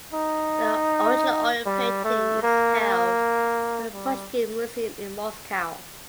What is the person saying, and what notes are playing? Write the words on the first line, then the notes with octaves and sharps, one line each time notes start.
The original oil painting is held by the Pushkin Museum in Moscow.
D#4
G3
A3
A#3
A#3
G3